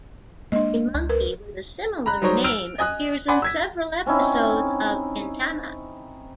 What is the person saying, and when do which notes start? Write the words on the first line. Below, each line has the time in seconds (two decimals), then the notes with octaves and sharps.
A monkey with a similar name appears in several episodes of "Gintama'".
0.52 G#3 A#3 D4 D#5
0.94 C#2
1.10 A#4 B4
2.06 A#5 B5 F#6
2.22 F#3 G3 D#4 C5 C#5 A#5
2.44 E6 F6 D7 F7
2.78 D#5 G#5 D#6 F#6
3.28 D5 F#5 G#5 B5 C6
3.42 E6 G#6 B6
4.06 C4 C#4 D#4 E4